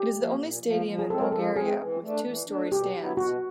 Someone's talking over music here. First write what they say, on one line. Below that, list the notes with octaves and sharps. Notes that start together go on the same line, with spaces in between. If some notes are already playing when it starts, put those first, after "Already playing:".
It is the only stadium in Bulgaria with two-storey stands.
Already playing: G4
F3 A#3
A#2
F3 A#3
F3
G#4
G#3 C4 A4
A#4
F3 A4
G#3 C4 G#4
E3
A3 D4
E3
A3 D4
B2 G4
F#3 B3 E4
B2 F#4